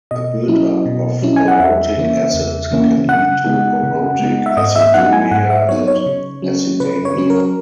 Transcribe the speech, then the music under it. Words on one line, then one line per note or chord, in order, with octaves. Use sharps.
A buildup of orotic acid can lead to orotic aciduria and acidemia.
B2 D#5
F#3 C#4 E4
B2
F#3 C#4 E4
G#5
F#5
E2 E5
C#3 E3 A#3 C#4
E2
C#3 E3 A#3 C#4
C#3 F#5
G#3 B3 D#4
C#3
G#3 B3 D#4
E5
G#2 D#5
E5
F#3 B3 D#4 F#5
G#5
G#2 F#5
E5
F#3 B3 D#4 C#5
C#5
C#3
F#3 C#4
C#3 B4
C#5
F#3 C#4
A#4